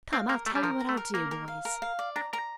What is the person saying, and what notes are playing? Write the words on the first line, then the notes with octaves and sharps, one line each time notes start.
"Come, I'll tell you what I'll do, boys."
C4 F5
A#3 A#4
A3 A#4
G3
F3 A#4
A#5
A3
A#4
A#3 A#4
A#4
F5
A#4
F5
D5
D4 A#5
A#4 A#5